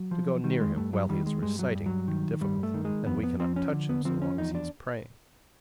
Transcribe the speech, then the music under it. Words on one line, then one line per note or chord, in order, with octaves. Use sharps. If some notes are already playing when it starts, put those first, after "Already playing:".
To go near him while he is reciting would be difficult; and we cannot touch him so long as he is praying.
Already playing: F#3
F3
D#3 G3
G#3
G2 A3
F#3
D#3 G3
G#3
G2 G#3
F#3
G2
F#3
D#3
G2 G3
A3
D#3
G#3
F2 B3
B3
F3 C4
C#4
D3
B3
F3 C4
C#4
E2 D#4
D4